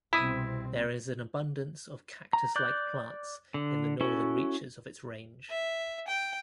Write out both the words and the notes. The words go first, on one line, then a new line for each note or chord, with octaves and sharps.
There is an abundance of cactus-like plants in the northern reaches of its range.
C2 B2 C4 E4 B5 D#6
A#5
D5 D6 F#6 G6
D3
C#4 E4 F#4 A4
E5
G5